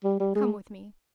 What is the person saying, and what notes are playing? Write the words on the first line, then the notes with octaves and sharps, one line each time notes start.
Come with me.
G3
G3
G#3